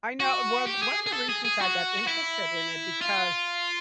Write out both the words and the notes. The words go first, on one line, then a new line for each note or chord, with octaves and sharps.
I know one one of the reasons I got interested in it because
F#4
G4
G#4
G#4
A4
G#4
G#4
F#4
E4
F4